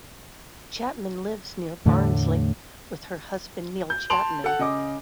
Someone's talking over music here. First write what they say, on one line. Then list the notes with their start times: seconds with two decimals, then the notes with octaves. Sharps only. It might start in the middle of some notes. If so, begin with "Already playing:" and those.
Chapman lives near Barnsley with her husband Neil Chapman.
1.85 E2 A2 D3 A3
3.90 G6
4.10 A5 C6 D7 F7 F#7
4.44 A4 F#5
4.59 C#3 D#5 D6